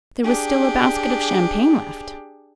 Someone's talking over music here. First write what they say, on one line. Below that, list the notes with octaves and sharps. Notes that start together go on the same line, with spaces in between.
There was still a basket of champagne left.
D4 G4 G#4